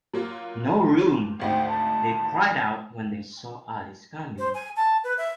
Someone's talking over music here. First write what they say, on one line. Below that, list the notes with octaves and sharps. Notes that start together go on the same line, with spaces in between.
No room!’ they cried out when they saw Alice coming.
F#3 A#3 F4
G#1 D2 D#4 C5 F#5 G5
A5
C5
G#5
A5
B4
E5